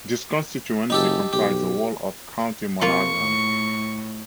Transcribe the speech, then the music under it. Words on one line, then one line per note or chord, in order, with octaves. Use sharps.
This constituency comprised the whole of County Monaghan.
F#1 D#4 G4 A4
B1 G4
C3 A#3 F4 A#4 C#6
A2